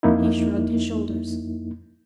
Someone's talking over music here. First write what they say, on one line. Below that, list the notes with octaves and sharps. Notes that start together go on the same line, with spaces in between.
He shrugged his shoulders.
F2 A#3 D#4 E4